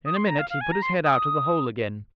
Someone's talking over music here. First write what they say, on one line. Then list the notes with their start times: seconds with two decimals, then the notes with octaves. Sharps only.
In a minute he put his head out of the hole again.
0.06 D#6
0.17 C6
0.27 A#5
0.39 F5
0.50 F5
0.61 G#5
0.72 A#5
0.82 C6
1.04 D#6